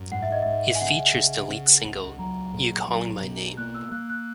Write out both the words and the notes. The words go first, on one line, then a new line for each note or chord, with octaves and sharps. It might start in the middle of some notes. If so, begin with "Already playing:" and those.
It features the lead single "You Calling My Name".
Already playing: F#2
G#2 F#5
E5
D#5
G#2 E5
G#5
C#3 F#5
C#3
C#3
C#2
F#3 A#5
A#2
F#3
B2
A#3 F#6
E6
A#3 F#6
F#6